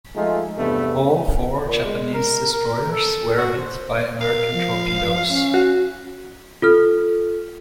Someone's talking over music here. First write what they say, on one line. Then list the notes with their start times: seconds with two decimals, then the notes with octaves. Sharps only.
All four Japanese destroyers were hit by American torpedoes.
0.15 F3 G#3 A3 D#4 F4 G#4
0.57 E2 G2 C3 A3 B3
1.65 A#2
1.84 G#3
2.14 A#4
2.52 A#4
2.92 A4
3.37 F#4
3.55 C5
4.21 A#4 F5
4.54 F3
5.28 C#4
5.54 F#4
6.62 F4 A4 F6